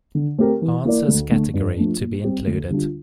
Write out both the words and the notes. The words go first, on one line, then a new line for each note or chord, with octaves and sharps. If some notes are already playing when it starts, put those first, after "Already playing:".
Answers category to be included.
D3
A3 C4 G4 A#4
E3
A#3 E4 A#4 D5
D2
D3 A3
G2
F3 A3 D4
A#2
G3 C4 G4
D2
D3 G3 D4 F4